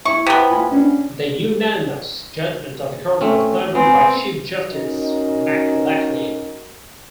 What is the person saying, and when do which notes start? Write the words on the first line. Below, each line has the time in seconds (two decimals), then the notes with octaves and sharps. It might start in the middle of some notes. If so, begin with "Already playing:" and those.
The unanimous judgment of the Court was delivered by Chief Justice McLachlin.
0.05 E4 C#6
0.27 C3 B3
0.50 F4 G#5 B5
0.71 C#4 D4
3.21 A3 C4 C#4
3.75 B3 C4 G#5
4.69 C#4 D#4 F#4 A#4 D#5